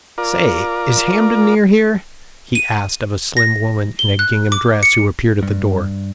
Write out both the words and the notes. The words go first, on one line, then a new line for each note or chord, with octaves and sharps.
'Say, is Hamden near here?' he asked of a slim woman in a gingham dress who appeared at the door.
F4 A#4 D5
D#7
A#6
G7
F#6
D6
C#7
G2